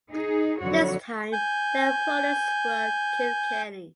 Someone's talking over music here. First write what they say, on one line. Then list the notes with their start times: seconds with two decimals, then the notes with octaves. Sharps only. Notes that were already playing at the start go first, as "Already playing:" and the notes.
This time their opponents were Kilkenny.
0.10 D#4 G#4
0.59 F2 D3 F#3 F#4 C#5
1.33 G#5 G6